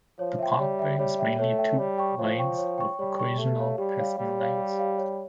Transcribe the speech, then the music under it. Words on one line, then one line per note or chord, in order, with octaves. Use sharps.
The parkway is mainly two lanes with occasional passing lanes.
F3 C#5
E5 G5
G3 C#5
E5 G5
G3 C#5
E5 G5
A3 C#5
E5 G5
G3 C#5
G5 C#6
F3 C#5
G5 C#6
C#5
G5 C#6
G3 C#5
G5 C#6
A3 G4
C#5 F5
G3 G4
C#5 F5
G3 G4
C#5 F5
G4
C#5 F5
C#5